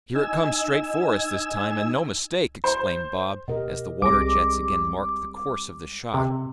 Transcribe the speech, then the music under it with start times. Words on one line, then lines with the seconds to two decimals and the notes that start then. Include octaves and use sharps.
"Here it comes straight for us this time, and no mistake," exclaimed Bob, as the water-jets again marked the course of the shot.
0.15 D#4 G#5 E6
2.64 C5
3.48 B2 G4 A#4 D#5
4.02 C2 G3 G#3 C4 G#4 D6 A#6
6.14 C3